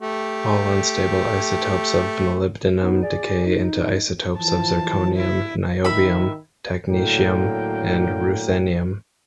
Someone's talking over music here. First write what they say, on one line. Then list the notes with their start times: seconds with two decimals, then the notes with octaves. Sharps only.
All unstable isotopes of molybdenum decay into isotopes of zirconium, niobium, technetium, and ruthenium.
0.02 A3 G4
2.82 B3 D#4
3.02 G#4 D5
3.46 D#4
4.38 E3 F3 A5
5.16 E4
5.85 D#3 E5 B5
6.89 A2 D3 F#3 A#3 G5